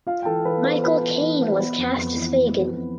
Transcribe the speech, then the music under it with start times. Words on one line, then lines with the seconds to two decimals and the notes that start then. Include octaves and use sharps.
Michael Caine was cast as Fagin.
0.07 F4 F5
0.22 G5
0.25 E3 A4 A5
0.45 E3 B4
0.64 B3 C5
0.83 F4 B4 B5
1.02 E3
1.21 E3
1.41 B3
1.59 B3
1.78 F2
1.97 F2
2.16 E3
2.36 B3
2.54 F2
2.73 F2